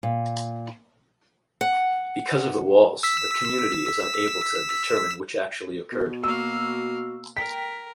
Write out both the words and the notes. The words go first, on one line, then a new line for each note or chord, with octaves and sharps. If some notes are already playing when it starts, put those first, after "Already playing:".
Because of the walls, the community is unable to determine which actually occurred.
A#2
F#5
E6 B6
B2
A#3 F#4 F5 E6
A#4 G5 B6